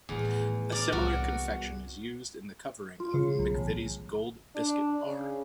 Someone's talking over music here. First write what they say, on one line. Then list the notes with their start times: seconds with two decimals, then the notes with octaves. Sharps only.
A similar confection is used in the covering of McVitie's Gold biscuit bar.
0.09 E2 A2 D#3
0.72 A#4 D5
0.92 C2 F#4
3.00 F4
3.14 C#3
3.39 B1
3.55 A1
4.56 D4
5.05 C#3